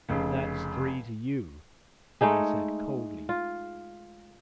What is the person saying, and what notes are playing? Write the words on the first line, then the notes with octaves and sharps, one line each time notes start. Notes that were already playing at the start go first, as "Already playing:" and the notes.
"That's three to you," I said coldly.
F1 C#3
G#3 A3 D#4 G#4
F4